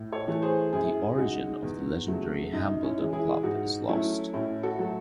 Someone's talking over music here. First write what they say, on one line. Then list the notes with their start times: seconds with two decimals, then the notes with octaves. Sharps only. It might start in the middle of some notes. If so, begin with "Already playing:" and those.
The origin of the legendary Hambledon Club is lost.
Already playing: A2
0.12 A4 C#5
0.28 E3 A3
0.42 G#4 C5
0.72 F#2 E4 G#4
1.18 C#3 G#3 D#4 F#4
1.62 E2
2.08 C#3 F#3 A3
2.53 F#2 D#4
2.83 C#4 E4
2.98 E3 G#3
3.13 E4 G#4
3.43 G#2 D#4 F#4
3.88 F#3 A3 C#4 E4
4.34 A2 C#4 E4
4.63 F#4 A4
4.79 F#3 A3